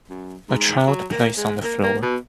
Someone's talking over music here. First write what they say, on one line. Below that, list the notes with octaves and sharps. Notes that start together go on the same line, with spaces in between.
A child plays on the floor.
F#2
G#2
F#3
A#3
G#3
A#3
A#3
B2